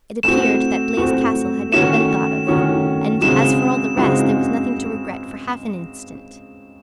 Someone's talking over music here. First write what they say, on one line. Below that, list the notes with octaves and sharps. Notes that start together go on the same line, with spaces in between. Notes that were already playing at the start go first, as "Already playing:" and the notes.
It appeared that Blaize Castle had never been thought of; and, as for all the rest, there was nothing to regret for half an instant.
A3 C4 F#4 E7
A3 C4 F#4
D#3 A3 C#4 F#4 C#5 E7
D#3 A3 C#4 F#4 C#5
C#3 G#3 C4 D#4 F#4 E7
C#3 G#3 C4 D#4 F#4